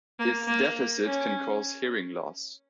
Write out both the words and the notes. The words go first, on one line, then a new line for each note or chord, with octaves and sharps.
Its deficit can cause hearing loss.
A#3
A#3
C#4